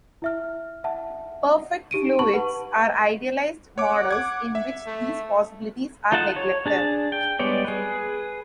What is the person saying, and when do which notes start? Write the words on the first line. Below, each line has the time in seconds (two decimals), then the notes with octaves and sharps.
Perfect fluids are idealized models in which these possibilities are neglected.
0.22 E4 E5 F6
0.84 E5 F#5 A5
1.91 D#4 G4 D7 D#7
2.19 A5 B5 C#6 F#7
2.34 B4 F#5
3.78 C#5 F#5 D6
4.11 D6 G#6
4.55 E5
4.87 A3
6.12 D#4 F4 A4 F#5 A5
6.36 C#5
6.66 D4 G#4 A5
7.12 G5
7.39 G3 G#3 B3 C#5 D5
7.65 G#4 B4